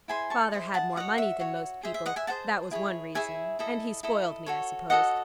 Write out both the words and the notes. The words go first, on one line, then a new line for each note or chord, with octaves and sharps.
Father had more money than most people; that was one reason; and he spoiled me, I suppose.
E4 G#4 C5 G#5 C6
A5 C#6
E4 G#4 C5 D#5
F#5 A5
F#4 C#5 D#5 F#5
E5
F#4 C#5
G#4 C5 D#5 E5
E5
D#5 F#5
E5 G#5
G#4 C5 D#5 F#5 A5
E4 G#4 C#5
E4 G#4 C#5 E5 G#5
E4 A4 D#5
E4 A4 D#5
F#4 A4 C#5
F#4 A4 C#5 D#5 F#5